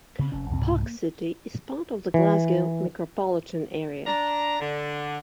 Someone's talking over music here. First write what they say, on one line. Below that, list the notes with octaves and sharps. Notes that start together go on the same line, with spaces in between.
Park City is part of the Glasgow micropolitan area.
C#3 C4
F1 F2 C#4
C2 F2 C#3 C4
C2 G#2 B2
A#3
E3
D4 A#5
D3